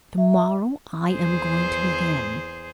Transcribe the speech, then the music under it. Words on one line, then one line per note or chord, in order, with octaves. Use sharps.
To-morrow I am going to begin.
E5
E2 G#4 C5